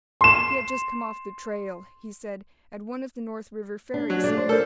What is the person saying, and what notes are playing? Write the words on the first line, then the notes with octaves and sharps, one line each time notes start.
He had just come off the "trail," he said, at one of the North River ferries.
C6 E7
D4
F#3
G3 A3 D4
C5
A4 A#4 C5 D5